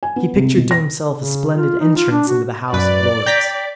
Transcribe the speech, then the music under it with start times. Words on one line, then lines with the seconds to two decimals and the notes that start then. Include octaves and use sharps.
He pictured to himself a splendid entrance into the House of Lords.
0.03 G#5
0.16 B3
0.36 C3
0.57 B2
0.71 A#6
1.16 C#3
1.54 F4
1.80 D#4
1.96 F4
2.11 D4
2.28 F#4
2.73 F#2 B4 D5
3.26 G5 A#5 B6